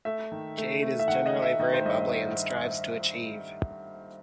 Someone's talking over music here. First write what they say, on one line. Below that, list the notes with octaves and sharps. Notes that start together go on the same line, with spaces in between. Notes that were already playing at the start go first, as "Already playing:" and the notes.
Jade is genrally very bubbly and strives to achieve.
A3 E5
D#3
A3
A3
E5
D#3 F#5
D#5
A3
E5
D#3 D#5
C5
G2 D#5